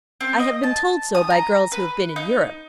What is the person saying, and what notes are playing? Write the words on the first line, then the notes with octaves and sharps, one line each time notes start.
I have been told so by girls who have been in Europe.
C4
D#5
A5
D#6
A#5
B4
D#4